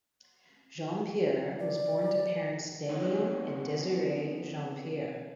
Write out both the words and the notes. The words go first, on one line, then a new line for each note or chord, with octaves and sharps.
Jeanpiere was born to parents Damion and Desiree Jeanpiere.
D5
B3 C4 D#4 G4 A4 C#5